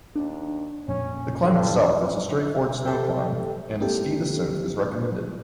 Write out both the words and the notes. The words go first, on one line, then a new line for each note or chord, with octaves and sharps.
The climb itself is a straightforward snow climb, and the ski descent is recommended.
D#2 D4
F2 A#2 C#4
G1 G2 D3
G4 A4 E5 G5
A#3 C4 D4 E4 G4 A4